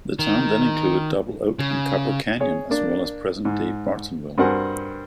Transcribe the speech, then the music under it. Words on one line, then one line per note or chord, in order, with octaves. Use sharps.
The town then included Double Oak and Copper Canyon, as well as present-day Bartonville.
D#3
C#3
G#4 C#5
A#3 D4
G#2
G2 C4 F#4 A#4 F#5 G#5